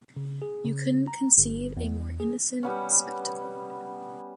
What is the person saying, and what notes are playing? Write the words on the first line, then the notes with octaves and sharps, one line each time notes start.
You couldn’t conceive a more innocent spectacle.
C#3
G#4
C#3
A#5
G1
E2
G#4
G3 B3 C#4